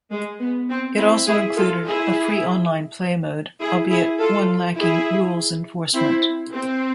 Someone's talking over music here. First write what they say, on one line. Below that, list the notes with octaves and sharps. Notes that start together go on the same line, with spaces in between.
It also included a free online play mode, albeit one lacking rules enforcement.
G#3
B3
C4
C4 E4
E4 G#4
F4 A4
E4 G#4
E4 G#4
E4 G#4
F4 A4
E4 G#4
C4 E4
C4